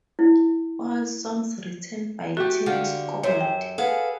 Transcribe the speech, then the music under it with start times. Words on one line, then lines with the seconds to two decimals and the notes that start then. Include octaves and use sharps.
All songs written by Tim Skold.
0.19 E4
2.37 A3 F#4 G4
2.66 D3 G4 F5 F#5
3.23 F#2 C5 C#5 E5
3.41 G5
3.78 G#4 A4 B4 F5 F#5